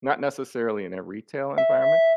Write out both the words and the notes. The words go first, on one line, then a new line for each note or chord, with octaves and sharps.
not necessarily in a retail environment,
E5